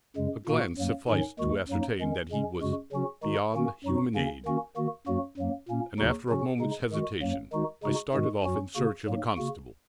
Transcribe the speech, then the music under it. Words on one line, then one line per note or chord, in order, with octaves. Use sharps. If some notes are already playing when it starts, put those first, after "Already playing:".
A glance sufficed to ascertain that he was beyond human aid, and after a moment's hesitation, I started off in search of a constable.
F#2 C#3 G#3
A#2 A#3 F#4
F#2 F#3 A#3
G#2 D#3 F#3 C#4
D#2 D#3 G#3 F#4
F#2 F#3 A#3 D#4
D#3 G#3 C#4
C#3 G#3 C#4
F#2 C#3 G#3 F#4
C#3 F#3 C#4 F#4
D#3 G#3 D#4 F#4
D#3 A#3 C#4 F#4
F#2 F#3 D#4 F#4
C#3 A#3 C#4
D#3 A#3 C#4 F#4
D#3 A#3 F#4
F#2 F#3 A#3 F#4
F#2 F#3 A#3
A#2 A#3 C#4
D#2 C#3 F#3 D#4 F#4
C#3 F#3 C#4 F#4
C#3 G#3 D#4
D#3 G#3 F#4
F#2 F#3 A#3
D#3 G#3 D#4 F#4
C#3 G#3 D#4 F#4
G#2 D#3 G#3 F#4
F#2 F#3 C#4 F#4
C#3 A#3 F#4
G#2 F#3 A#3
C#3 A#3 F#4